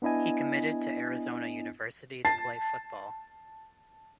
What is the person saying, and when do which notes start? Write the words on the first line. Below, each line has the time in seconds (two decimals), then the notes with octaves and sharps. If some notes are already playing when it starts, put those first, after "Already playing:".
He committed to Arizona University to play football.
0.02 B3 D4 E4 D#5 G#5
2.25 A5 A6 C7